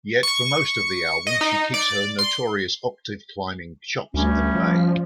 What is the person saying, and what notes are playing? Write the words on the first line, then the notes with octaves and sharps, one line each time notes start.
Yet for most of the album she keeps her notorious octave-climbing chops at bay.
C#6
D#5
D#4
D5
C6
D2 G3 A3 C#4
F3